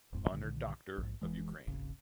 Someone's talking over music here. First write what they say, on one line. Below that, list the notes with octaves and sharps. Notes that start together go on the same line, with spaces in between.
Honored Doctor of Ukraine.
D1 F2 G#2
B1 A#2 D3 D#3
A#1 G#2
F1 B1 E3 G#3
D#1 G#1 C#3